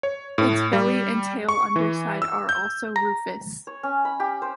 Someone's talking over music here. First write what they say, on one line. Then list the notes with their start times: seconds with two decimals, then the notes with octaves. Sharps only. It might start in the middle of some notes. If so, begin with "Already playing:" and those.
Its belly and tail underside are also rufous.
0.03 C#5
0.38 A2
0.73 G3
1.49 C#6
1.76 E3
2.22 E6
2.49 G6
2.96 A#5
3.67 C#5
3.83 C#4
4.05 B5
4.20 G4
4.42 C5